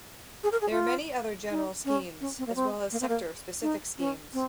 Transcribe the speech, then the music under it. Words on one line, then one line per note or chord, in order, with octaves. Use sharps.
There are many other general schemes, as well as sector specific schemes.
G#4
A#4
G#4
F4
D#4
C#4
C#4
C4
A#3
C4
A#3
C4
A#3
D#4
C#4
C4